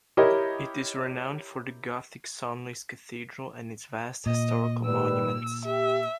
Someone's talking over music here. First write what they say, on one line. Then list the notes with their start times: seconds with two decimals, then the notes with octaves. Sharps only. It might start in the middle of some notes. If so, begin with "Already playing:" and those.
It is renowned for the gothic Senlis Cathedral and its vast historical monuments.
0.17 E4 G4 A#4 C#5 D#5
4.26 A#2 D#5
4.85 D#3 G3 B4 E6
5.66 G4 E5